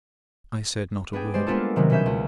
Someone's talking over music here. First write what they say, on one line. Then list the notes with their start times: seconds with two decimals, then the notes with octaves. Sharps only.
I said not a word.
1.13 B3 D4 G#4 G5
1.34 G#3 G4 C5 D5
1.46 G#3 A#3 B3 D4 F4 A4
1.76 C3 D#3 F#3 G#3
1.90 B2 B3 C#4 E5 G6
2.06 C#2